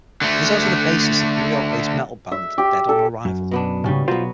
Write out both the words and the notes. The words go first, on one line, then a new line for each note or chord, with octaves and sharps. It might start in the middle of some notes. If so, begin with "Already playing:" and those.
He is also the bassist of the New York-based metal band Dead on Arrival.
D3 A3
E5
G4
A4
F#2
B2 B3 D4
G#2 C#3 G3 C#4
B1 F#3 B3 F4 C5